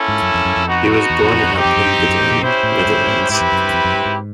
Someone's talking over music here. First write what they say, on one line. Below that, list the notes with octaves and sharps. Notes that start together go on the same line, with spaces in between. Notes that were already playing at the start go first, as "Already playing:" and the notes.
He was born in Appingedam, Netherlands.
Already playing: A#3 C#4 E4 A4
G#2
F#2
F2
F#2
F2
B3 D#4 F#4
E2
F2
F2
F2
F#2 C4 D#4 G4
F2
F#2
G2
F2
F#2
A2
A#2
B2 C#4 E4 G4 C5
A2
G2
G#2
G2
G#2
G2
G#2 C4 E4 G4 B4
F2
F#2
G2
F#2
F2
F#2
G2
G#2